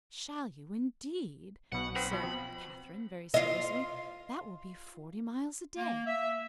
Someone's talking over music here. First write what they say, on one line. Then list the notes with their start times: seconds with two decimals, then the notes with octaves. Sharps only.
"Shall you, indeed!" said Catherine, very seriously: "that will be forty miles a day."
1.72 B1 B2 F#5
1.96 B3 C4 B5
2.11 B2 F3
2.23 C4
3.34 F4 D#5
5.77 A#3
6.06 E5